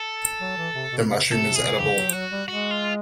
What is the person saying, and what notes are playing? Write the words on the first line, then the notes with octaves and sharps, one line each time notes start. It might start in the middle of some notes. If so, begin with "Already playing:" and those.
The mushroom is edible.
Already playing: A4
F#3
E3
C3
B2
C3
C#3
C3
A4
B2 G#4
C3
C#3 G4
F#3
F3
F#3 F#4
G3
G#3 F#4
F4